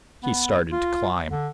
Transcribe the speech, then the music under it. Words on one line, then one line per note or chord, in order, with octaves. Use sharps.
He started to climb.
B3
F4
D3